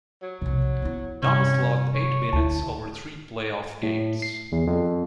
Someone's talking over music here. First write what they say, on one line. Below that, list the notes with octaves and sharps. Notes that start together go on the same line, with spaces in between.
Thomas logged eight minutes over three playoff games.
F#3
B1 F2 C3
B3 E4
G2 C3 C#4
C#5
D2 E4 A5
A2
C7
E2
F2